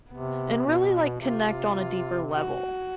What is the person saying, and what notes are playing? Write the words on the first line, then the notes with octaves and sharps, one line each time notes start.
and really, like, connect on a deeper level.
C3 B3
B2
C3 F4
F#4